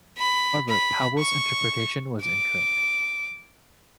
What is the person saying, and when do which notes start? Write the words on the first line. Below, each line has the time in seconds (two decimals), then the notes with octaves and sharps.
However, Powell's interpretation was incorrect.
0.18 B5
0.69 B5
1.19 C#6
2.21 D6